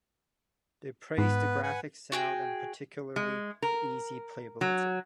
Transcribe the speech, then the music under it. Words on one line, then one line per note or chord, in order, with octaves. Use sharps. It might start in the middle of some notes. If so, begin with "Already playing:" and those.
They praised the graphics, sound, and particularly the easy playability.
G#2 B3 B4
B4 F#5 G#5
F#4 G#4 G5
G#3
A#4
F#3